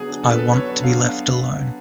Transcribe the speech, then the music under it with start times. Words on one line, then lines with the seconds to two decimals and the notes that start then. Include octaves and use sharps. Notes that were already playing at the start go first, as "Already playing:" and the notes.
I want to be left alone.
Already playing: D3 F#3 B3 G#4
0.09 D4
0.23 B3 A4
0.31 B4
0.38 D3 A4
0.54 F#3 C#5
0.69 D4
0.84 B3 F5